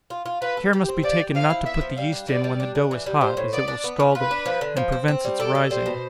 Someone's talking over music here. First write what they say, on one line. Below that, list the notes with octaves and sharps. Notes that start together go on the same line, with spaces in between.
Care must be taken not to put the yeast in when the dough is hot, as it will scald it, and prevents its rising.
F4
F4
F4 B4
A4
G4
C4
F3 D5
G4
F3 F5
E4
B3 E5
F3
G3 F5
D4
G3 D5
G3
D4
D4
E3
G3
G3 C5
A2
B3 D5
D4
B3
F4
F4 B4
D4
F3
D3
F3
C4
C4
G3
A4 D5
A4
G3 C5
B2